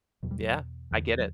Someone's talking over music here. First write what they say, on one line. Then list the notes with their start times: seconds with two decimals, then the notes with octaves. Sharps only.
Yeah, I get it.
0.23 E2 B2 F#3
0.31 G3
0.40 F#3
0.91 E2 D3 E3
1.18 F#3